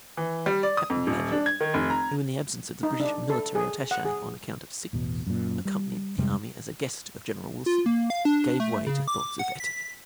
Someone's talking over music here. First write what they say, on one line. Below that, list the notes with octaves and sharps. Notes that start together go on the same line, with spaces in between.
Captain Paget, who in the absence of the British military attache on account of sickness, accompanied the army as a guest of General Wilson, gave way to thoughts of etiquette.
E3
G3
D5
D#6
F2
D#1
D4
G#6
D#3
F1
A#5
D#4
D4
A4
G#4
F#5
G#4
A1 E2 B2
F#2 A#2
G3
F2 C3 G3 G#3
F4
A#3
F5
D4
A3
C#3
D6
F#5
B6